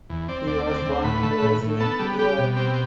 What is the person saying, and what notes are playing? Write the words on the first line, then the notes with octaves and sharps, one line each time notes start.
He was born and raised in India.
E2
C4 D5
D2 D5
C4
D2
A2 B4
A3
A2
A2
B3 A4
G3
G3 G4
B2
C4 G4